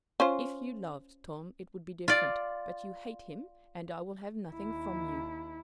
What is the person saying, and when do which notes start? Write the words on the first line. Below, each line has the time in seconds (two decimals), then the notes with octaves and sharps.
If you loved Tom, it would be different, but you hate him, and I will have nothing from you.
0.20 C#4 F4 C5
2.08 F4 D5
4.52 D#2 E4